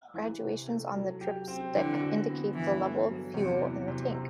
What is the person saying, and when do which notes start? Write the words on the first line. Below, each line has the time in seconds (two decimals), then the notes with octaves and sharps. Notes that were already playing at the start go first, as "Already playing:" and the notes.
Graduations on the dripstick indicate the level of the fuel in the tank.
0.14 E3
0.41 C3
0.67 A3
0.94 F#3
1.21 G4
1.48 C4
1.74 D3 E3
2.01 F#4
2.28 B3
2.54 G2 E3
2.80 A3
3.08 F#3
3.34 E2 C3
3.61 E3
3.88 C3
4.15 C3